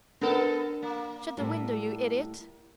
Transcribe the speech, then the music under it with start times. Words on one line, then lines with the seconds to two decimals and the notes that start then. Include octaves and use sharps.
Shut the window, you idiot!
0.21 B3 D4 A4 A#4
0.82 A#3
1.37 A2 G3